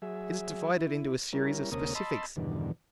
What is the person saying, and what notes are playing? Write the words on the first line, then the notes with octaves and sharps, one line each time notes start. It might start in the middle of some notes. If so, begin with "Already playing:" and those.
It is divided into a series of specifics.
F#3 G#4 E5
E4
G3 C#4 E4 A#4
D2 C3 A#3 C#4 A#4 D#6
D#5 A5 B5 C6 E6
E2 G2 B2 D3 D#3